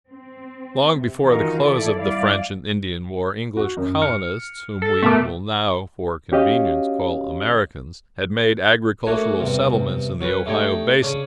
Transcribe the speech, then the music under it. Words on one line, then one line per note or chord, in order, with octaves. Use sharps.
Long before the close of the French and Indian War, English colonists--whom we will now, for convenience, call Americans--had made agricultural settlements in the Ohio basin.
C4
C3
D#3 E3 D#4 F4 F#4 A#4
E3 E4 A4 D5
G3 E4 D5 F5
F#4
F#2
F6 C#7
A4
B2 A3 A#4 D6
C#4 F#4 G4 C#5 D#5 F5
A3 A#3 D4 F#4 C#5
E2 G2 C3
F#3 C#4 B4
A3 D4 D#4 G4 C#5 G5
C#3 C#4 D4